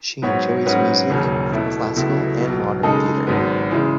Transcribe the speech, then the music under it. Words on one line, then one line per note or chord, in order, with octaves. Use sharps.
She enjoys music, classical and modern theatre.
G#2 F#3 B3 F#4 C#5
G#2 F#3 C#4 F#4 B4
E1 D#2 C#3 F#3 C#4
B2 A3 E4
C#2 B2 F#3 A3 E4
B1 B2 F#3
C#3 G#3 D#4 A4
G#1 G#2 F#3 B3
C#3 E3 G#3